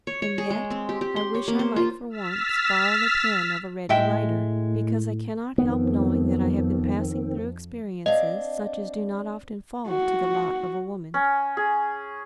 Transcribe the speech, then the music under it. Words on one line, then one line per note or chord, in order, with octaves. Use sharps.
And yet I wish I might, for once, borrow the pen of a ready writer; because I cannot help knowing that I have been passing through experiences such as do not often fall to the lot of a woman.
C#5
C#5
G#4
G#3
C4
G4
G4
C6
C#5
A#3
C5
F4
E6 F6 A6 B6
A2 G#3 E5 G5
F2 D#3 B3 C4
C4 D4 D#5 F5
F#4
C#4
G#4